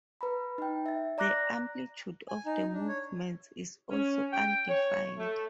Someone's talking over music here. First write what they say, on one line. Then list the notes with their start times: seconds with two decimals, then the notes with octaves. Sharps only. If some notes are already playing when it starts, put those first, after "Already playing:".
The amplitude of the movements is also undefined.
0.21 B4 A#5 B5
0.58 D#4 G5
0.86 E5 A6
1.18 D5 A#5 D6 F#6 A#6
2.28 G#5
2.46 D#4
2.73 D4
2.88 C#5
3.91 C#4
4.32 G5
4.69 C#5
5.18 A3